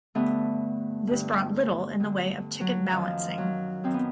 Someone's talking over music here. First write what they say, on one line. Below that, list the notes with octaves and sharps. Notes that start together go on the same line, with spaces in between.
This brought little in the way of ticket balancing.
G2 D3 A3 B3
G2 D3
G2 D3
F#3
F#2 D#3 F3
F#3
F#2 D#3 C4
B3